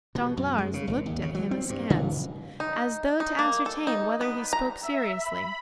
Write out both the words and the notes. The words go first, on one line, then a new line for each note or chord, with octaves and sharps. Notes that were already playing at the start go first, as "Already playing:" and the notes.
Danglars looked at him askance, as though to ascertain whether he spoke seriously.
B2
F#2
G#3
C#3
G#1
D#2
C#3
F#3
C4
G2
C#3
D#4
D#4
A#3
A4
D#4
B3
A#5
E5
B5